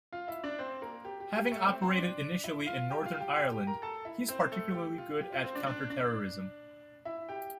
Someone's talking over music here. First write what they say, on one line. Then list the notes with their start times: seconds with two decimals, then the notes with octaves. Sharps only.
Having operated initially in Northern Ireland, he's particularly good at counter-terrorism.
0.13 F4 F5
0.28 E4 E5
0.43 D4 D5
0.59 C4 C5
0.82 A#3 A#4
1.05 G4
1.20 G4
1.37 G4
1.52 A3 A4
1.67 C4 C5
1.82 C4 C5
1.97 D4 D5
2.44 E4 E5
2.66 F4 F5
2.90 G4 G5
3.06 F4 F5
3.20 G4 G5
3.36 G4 G5
3.51 G4 G5
3.67 A#4 A#5
3.82 A4 A5
4.05 E4 E5
4.28 C4 C5
4.52 A3 A4
4.74 G4
4.98 F4
5.21 G4
5.32 F4
5.44 C4 C5
5.55 D4 D5
5.67 D4 D5
5.90 D4 D5
7.05 E4 E5
7.29 G4 G5